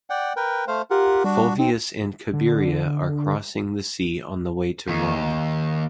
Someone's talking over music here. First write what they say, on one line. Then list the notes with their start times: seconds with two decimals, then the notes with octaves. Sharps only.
Fulvius and Cabiria are crossing the sea on the way to Rome.
0.10 D5 F#5 G5
0.36 A#4 B4 G5
0.68 A3 C5 F5
0.90 F4 G4 A#4 F#5
1.24 G3 D4 F#4
1.59 C4 D#4
2.33 D3
4.88 D#2